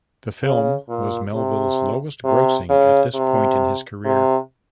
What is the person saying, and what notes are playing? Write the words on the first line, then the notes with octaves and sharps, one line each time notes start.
The film was Melville's lowest grossing at this point in his career.
C#3
A#2
C3
C3
C#3
C3
C3